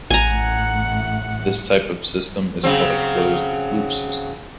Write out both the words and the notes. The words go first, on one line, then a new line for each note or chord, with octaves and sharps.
This type of system is called a closed-loop system.
A1 A2 F#5 G#5 A#5
C#3 F#3 C4